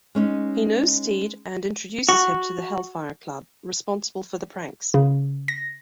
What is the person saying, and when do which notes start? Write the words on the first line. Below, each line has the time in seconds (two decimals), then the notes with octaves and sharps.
He knows Steed and introduces him to the Hellfire Club, responsible for the pranks.
0.15 G#3 C#4 D#4
2.09 F#4
4.94 C#3
5.48 A#6